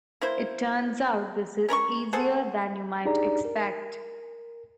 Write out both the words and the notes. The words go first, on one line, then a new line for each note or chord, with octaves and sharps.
It turns out this is easier than you might expect.
A#3 E4 C5
C#4 A#4 B5 C#6
G#4 A4 C5 F#5
D4 D#4 G4 G#4 D5 A#5
A#4